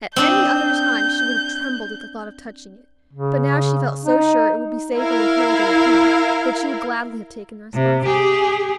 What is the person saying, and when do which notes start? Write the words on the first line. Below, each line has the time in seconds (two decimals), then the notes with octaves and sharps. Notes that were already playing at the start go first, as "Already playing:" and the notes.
At any other time she would have trembled at the thought of touching it; but now she felt so sure it would be safer with her than with him, that she would gladly have taken the responsibility.
0.16 C4 D4 D#5 G6
3.13 C#3
4.05 D#4
4.97 E4 A#4 F5
7.75 C3
8.06 G4 G#4